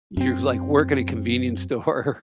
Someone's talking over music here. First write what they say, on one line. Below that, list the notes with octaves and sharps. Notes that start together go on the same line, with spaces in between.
you, like, work in a convenience store,
F#2 C4